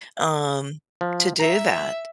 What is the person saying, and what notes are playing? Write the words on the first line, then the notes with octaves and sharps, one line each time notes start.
um, to do that,
F3
E5 A#5